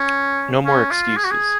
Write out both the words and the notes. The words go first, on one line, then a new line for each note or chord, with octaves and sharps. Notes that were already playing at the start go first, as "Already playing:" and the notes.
No more excuses.
Already playing: C#4
C#4
F4
G#4
F#4
G#4